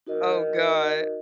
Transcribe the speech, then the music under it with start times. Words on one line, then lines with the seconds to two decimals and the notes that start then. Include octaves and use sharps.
Oh, god.
0.07 D#4 F#4 A#4 D#5